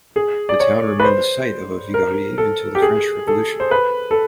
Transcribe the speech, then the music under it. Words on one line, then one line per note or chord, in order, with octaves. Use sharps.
The town remained the site of a "viguerie" until the French Revolution.
G#4
D5
C#5
B4
C5
A#4
A4
G4
G#4
A4
C5
B4
A4